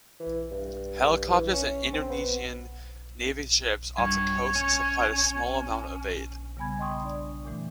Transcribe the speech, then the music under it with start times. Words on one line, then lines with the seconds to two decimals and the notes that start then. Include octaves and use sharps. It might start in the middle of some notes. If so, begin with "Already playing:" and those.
Helicopters and Indonesian navy ships off the coast supplied a small amount of aid.
0.20 E3
0.51 G2
1.28 E3
1.52 C#4
1.93 C4
2.10 B3
3.98 G2 C#5
4.56 C#4
6.57 C#3 G3 B3 G#5 B5 G#6
6.79 D#5 G5 C6 C#6 D#6
7.03 D4 D5
7.44 E2 A#2 E3 A3